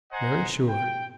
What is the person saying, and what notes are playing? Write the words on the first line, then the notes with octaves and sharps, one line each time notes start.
"Very sure!"
C5 D#5 F#5 G#5 A#5
G5